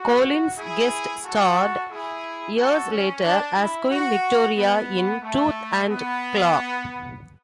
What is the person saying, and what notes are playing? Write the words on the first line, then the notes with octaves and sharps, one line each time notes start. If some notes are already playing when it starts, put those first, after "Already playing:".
Collins guest-starred, years later, as Queen Victoria in "Tooth and Claw".
Already playing: F#4
E4 G#4
F#4 A4
E4 G#4
F#4 A4
C#4
D4
E4
F#4
B3
A3
B3